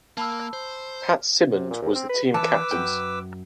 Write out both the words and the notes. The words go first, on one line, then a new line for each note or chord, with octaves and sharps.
Pat Simonds was the team captains.
A#3 A5 B5 E6
C5
C3
A#2
D#2
C4
B4
E3 B4 A5 D6 E6
F#2 G5